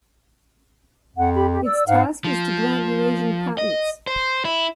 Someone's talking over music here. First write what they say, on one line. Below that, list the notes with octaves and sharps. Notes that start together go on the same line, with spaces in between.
Its task is to grant Eurasian patents.
F2 F#5
G4 B5
G4
D5 E6
G#2 F5 F#5
F3
D#5
C5
E4